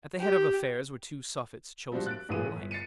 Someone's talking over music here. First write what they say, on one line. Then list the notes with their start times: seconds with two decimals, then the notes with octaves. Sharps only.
At the head of affairs were two suffetes chosen for life.
0.20 G4
1.92 F3 G3 C4 D4 F#4
2.06 F#6 A6 D7
2.29 D#1 A1 A#2 E3 G#4 D#7
2.44 A2
2.56 G1
2.71 A6 C7 C#7 D#7